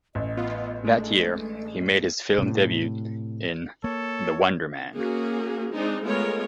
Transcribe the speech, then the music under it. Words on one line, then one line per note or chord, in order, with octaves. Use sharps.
That year he made his film debut in "The Wonder Man".
A1 D#5
B3 F4
G#3 A3 D4
A2 C3
A#3 A4 C#5
A#3 C#4 F#4 G#4
G#3 C4 D4 D#4
G#3 A3 B3 F4 A#4 C#5